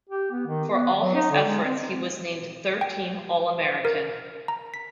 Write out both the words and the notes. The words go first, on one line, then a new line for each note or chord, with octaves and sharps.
For his efforts, he was named Third Team All-American.
G4
B3
D#3
B3
F#3
D#4
D3
G#3
C4
G5
C5
A#4
A#5
B6